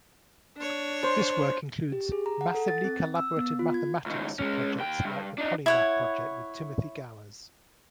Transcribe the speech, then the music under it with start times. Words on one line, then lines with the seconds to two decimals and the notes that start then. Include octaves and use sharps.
This work includes "massively collaborative mathematics" projects like the Polymath project with Timothy Gowers.
0.57 D4 C#5
1.03 C5
1.92 G4
2.12 G#4
2.26 A#5
2.41 F#5
2.55 A4
2.68 A6
2.84 C4
3.15 E6
3.37 B3
3.59 F4
3.74 G#6
4.06 C#2 D#3
4.39 G#3 C#4
4.78 D#2 G5
5.05 G2
5.38 D4 D#4
5.66 E4 C#5 F#5